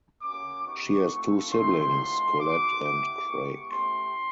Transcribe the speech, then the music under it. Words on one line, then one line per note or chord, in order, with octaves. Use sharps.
She has two siblings, Colette and Craig.
A#3 C#4 F#4 D6
B3 D#4 G4 C#6
A3 C4 F4
A3 C4 E4 G4 C6
G#3 B3 D4 F4
A#3 D#4 F#4 D6
B3 E4 G4
G#3 B3 E4 G4 C#6
A3 C#4 E4 G4 C6